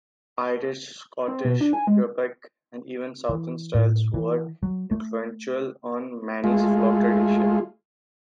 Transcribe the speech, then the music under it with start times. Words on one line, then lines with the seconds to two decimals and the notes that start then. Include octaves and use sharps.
Irish, Scottish, Quebec, and even southern styles were influential on Maine's folk tradition.
1.28 C4
1.45 B2
1.61 D4
1.73 G#5
1.87 G#3
3.29 E3
3.75 A2
4.14 E3
4.63 F#3
4.91 A3
6.44 G#3 A3 F4